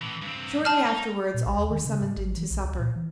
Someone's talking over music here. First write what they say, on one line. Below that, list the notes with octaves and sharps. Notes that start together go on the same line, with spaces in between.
Shortly afterwards all were summoned in to supper.
A2 E3
G2 C4
G#4 A5 F6
D#4
A#2
A#1
D#2
D#3
C#3
G#2
G#1
E3
B1
C#2
A#2
E3